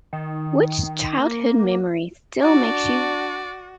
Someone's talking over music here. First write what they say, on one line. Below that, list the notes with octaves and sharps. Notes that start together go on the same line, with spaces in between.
Which childhood memory still makes you
D#3
A#3
D4 F#4 D5